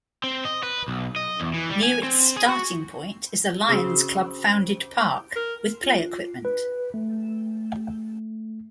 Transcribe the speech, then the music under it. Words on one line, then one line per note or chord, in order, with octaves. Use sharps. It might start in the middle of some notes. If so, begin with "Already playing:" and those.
Near its starting point is a Lions Club founded park, with play equipment.
C4
D#5
B4
B1
D#5
E2
E3
G3
G#5
C4
G#4
F#4
C#3 C4 F#4 G#4 C5
A#4
F4
B4
A3